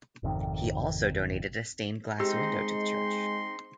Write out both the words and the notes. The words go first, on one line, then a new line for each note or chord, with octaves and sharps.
He also donated a stained glass window to the church.
G#1 F2 C3 D#3
G#3 C4 D#4 G4 C6